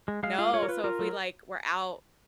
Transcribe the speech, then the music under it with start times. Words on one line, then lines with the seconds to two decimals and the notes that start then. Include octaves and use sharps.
No, so, if we, like, were out,
0.08 G#3
0.23 G#3 F5
0.38 F4 F5
0.53 F4 C#5
0.63 A#4
0.68 F4 B4
0.84 F4 A#4
0.99 F#3